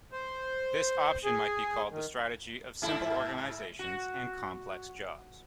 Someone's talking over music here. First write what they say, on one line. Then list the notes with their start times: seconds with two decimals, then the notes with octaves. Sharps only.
This option might be called the strategy of 'simple organisations and complex jobs'.
0.12 C5
1.24 G#4
1.90 D#3
2.82 G#2 E4 A4
3.79 F#4